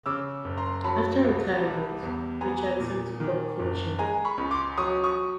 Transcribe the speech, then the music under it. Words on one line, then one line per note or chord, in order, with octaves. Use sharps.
After retirement, Richardson took up coaching.
C#3 D6 E6
F#1
A#5 C6
F#3 A5 B5
C2
G3
E2
B3 G#5 A#5
A#2
D#3
F#1
G#3 G#5 A#5
B5 C#6
C#2
C6 D6
F#3 C#6 D#6
C#6 D#6